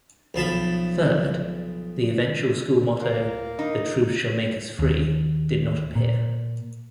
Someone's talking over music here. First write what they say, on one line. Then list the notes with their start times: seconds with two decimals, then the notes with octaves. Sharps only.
Third, the eventual school motto, "The Truth Shall Make Us Free" did not appear.
0.34 B1 F3 A5 B5
3.01 A#3
3.59 D#4
4.79 D#2
5.95 A#2